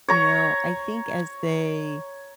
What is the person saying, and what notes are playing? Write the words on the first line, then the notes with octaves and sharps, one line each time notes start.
you know? I think as they
C#5 A#5 C#6